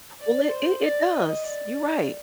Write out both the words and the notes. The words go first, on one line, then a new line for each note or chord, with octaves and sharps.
Well, it it does, you're right.
D5
C5
D5
D#5
D5